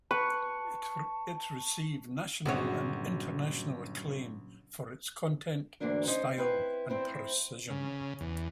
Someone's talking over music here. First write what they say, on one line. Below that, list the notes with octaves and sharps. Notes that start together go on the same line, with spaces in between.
It received national and international acclaim for its content, style, and precision.
B4 A5 C#6
G1 A#2 C#3 F#3 F#4 G#4 C#5
D2 G#2 E3 A#3 D4 A#4
C#4 D#4 C5 D#5
C4 E4 B4
C4 E4 C5
C#3
E2